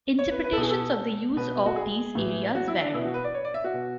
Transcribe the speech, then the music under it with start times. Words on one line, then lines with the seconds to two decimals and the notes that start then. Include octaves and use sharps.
Interpretations of the use of these areas vary.
0.19 C#5
0.31 B4
0.44 B4
0.53 A4
0.57 B2 G#4
0.70 A4
1.37 B2 B4
1.66 F#4
1.76 G#4
2.15 A2 E3
2.55 F#4
2.68 E4
2.81 D4
2.94 B2 E4
3.05 F#4
3.14 B4
3.24 D5
3.34 C#5
3.45 D5
3.54 E5
3.64 F#4
3.74 B2